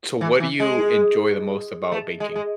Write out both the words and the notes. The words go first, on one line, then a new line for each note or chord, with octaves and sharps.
So what do you enjoy the most about baking?
E3
E3
G#3
A3
G#3
G#3